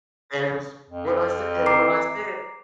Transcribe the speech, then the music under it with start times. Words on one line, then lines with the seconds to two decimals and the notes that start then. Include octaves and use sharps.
And it was when I sa and when I said
0.90 F2
1.66 A#5 D6 C7